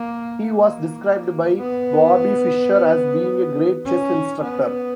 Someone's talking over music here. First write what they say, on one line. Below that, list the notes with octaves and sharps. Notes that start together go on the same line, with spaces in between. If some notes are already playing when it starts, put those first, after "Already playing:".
He was described by Bobby Fischer as being a great chess instructor.
Already playing: A#3
A#3
B3
C#4
B3